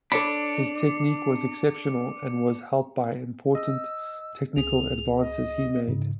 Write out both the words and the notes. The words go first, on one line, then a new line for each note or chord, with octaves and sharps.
His technique was exceptional, and was helped by important technical advances he made.
D4 A4 C#5 B5 D6 C#7
D#5 E6
C#2 G#4 F7
D#5
G#2 C#3